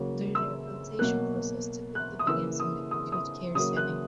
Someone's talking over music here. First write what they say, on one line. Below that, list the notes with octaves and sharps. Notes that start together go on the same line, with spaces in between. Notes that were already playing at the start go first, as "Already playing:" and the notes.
The rehabilitation process typically begins in the acute care setting.
Already playing: C#3 F#3 A#3
E6
B2 F#3 A#3 F#6
F#6
D#6
C#3 E3 A#3 E6
D#6
D#6
D#6
C#3 F#3 A#3 D#6
F#6